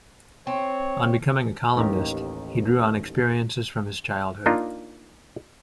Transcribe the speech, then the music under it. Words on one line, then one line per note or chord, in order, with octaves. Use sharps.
On becoming a columnist, he drew on experiences from his childhood.
C4 C#5
A1 D#2 D#3 G4 A#5
A#3 D4 D#4 F4